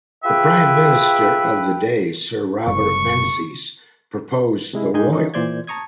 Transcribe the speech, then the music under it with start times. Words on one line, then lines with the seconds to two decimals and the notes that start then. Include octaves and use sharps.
The Prime Minister of the day, Sir Robert Menzies, proposed the 'royal'.
0.24 F4 G#4 B4 E5 G5
2.66 F#1 C3 C#6
4.73 C3 G#3 E4
4.94 G#2 G#3 D#4 G4 G#5 G6
5.10 D3 E3 C#4 D#4
5.34 A#2 E3 C5 D5 G6 G#6
5.67 A5 A#5 C#6 D#6 G#6